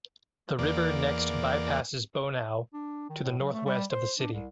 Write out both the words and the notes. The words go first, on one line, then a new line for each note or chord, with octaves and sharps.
The river next bypasses Bonao to the northwest of the city.
E2 A#3 D5
D4
D#3
A2
F#3
A3
G3
C5
D4
C2